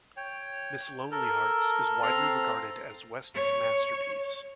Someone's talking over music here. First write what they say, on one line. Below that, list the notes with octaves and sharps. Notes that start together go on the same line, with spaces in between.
"Miss Lonelyhearts" is widely regarded as West's masterpiece.
C#5 G5
A4 A#4
C4 A4 F5 A#5
C#5